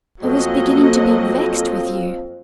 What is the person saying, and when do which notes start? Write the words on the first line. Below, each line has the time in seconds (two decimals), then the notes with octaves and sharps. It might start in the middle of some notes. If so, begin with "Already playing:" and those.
I was beginning to be vexed with you.
0.21 F2 F#3 A#3 D#5